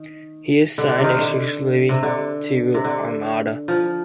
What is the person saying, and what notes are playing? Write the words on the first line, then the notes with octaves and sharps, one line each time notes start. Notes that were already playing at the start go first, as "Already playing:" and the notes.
He is signed exclusively to Armada.
Already playing: D#3
D3
D3
C3
D3 D#3
D3
C3
D3
C3
D3
F3